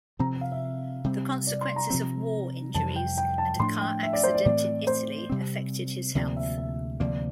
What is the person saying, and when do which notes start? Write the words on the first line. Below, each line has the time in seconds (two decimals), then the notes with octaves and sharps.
The consequences of war injuries and a car accident in Italy affected his health.
0.19 C3 F3 C4 A#5
0.41 F5
0.52 E5
1.04 C3 G3 C4
1.47 D5
1.61 C6
1.76 A#5
1.90 C3 F3 C4
2.74 F2 C3 E3 G3 A5
2.96 G5
3.18 G5
3.38 A5
3.59 A2 F3 A3 D4 C6
3.81 G5
4.03 E5
4.13 D5
4.24 C5
4.34 D5
4.45 A2 E3 A3 C4 D5
4.87 C5
5.30 C3 G3 C4
6.15 D2 C3 F3 A#3 D5
6.36 E5
6.58 E5
7.00 D2 C3 F3 A#3 D5